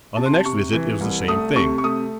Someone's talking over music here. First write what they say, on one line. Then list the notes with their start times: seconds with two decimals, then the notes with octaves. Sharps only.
On the next visit it was the same thing.
0.17 C3 A5
0.26 C6
0.33 A5
0.45 C3 C#6
0.73 E3
1.01 C2
1.28 A3 D#6
1.56 C3 C#6
1.78 C#6
1.84 A3 D#6